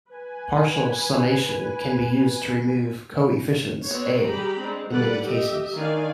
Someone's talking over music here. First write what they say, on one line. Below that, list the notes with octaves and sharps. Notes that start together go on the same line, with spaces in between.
Partial summation can be used to remove coefficients "a", in many cases.
B4 G#5
B3 C4 F#4 C#5
G3 G4 G#4 A#5 B5
G#3 C4 D4
D3 G3 B4 D5 F#5
G4 D#5 E5
D#3 E3 D4 D5 F5 G#5